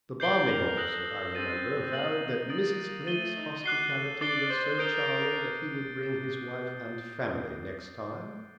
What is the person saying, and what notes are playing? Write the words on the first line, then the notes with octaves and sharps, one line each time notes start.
The bombing officer, I remember, vowed that Mrs. Blake's hospitality was so charming that he would bring his wife and family next time.
D5 G6 C7 G7
A#4
A4 D#6 F#6 A#6 F#7
C4 A6 C7 D#7 F#7
A#3 F#6 A6 C7 F#7
A#3
D#6 A6 D7 F#7
A3 A6 D#7 G7
D#4
F#4 D6 F#6 C7 G7
A4
D5 D6 A6 C7 G7
C5
A#4 D#6 G6 D7 G7